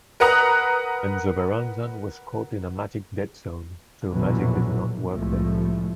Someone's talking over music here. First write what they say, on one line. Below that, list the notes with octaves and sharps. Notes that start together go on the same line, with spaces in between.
Menzoberranzan was caught in a magic dead zone, so magic did not work there.
A#4 B4 F#5 A#5 D#6 F#6
A#1 E2 B2 D3 E3 F#3
C2 A2 F3 G#3 A3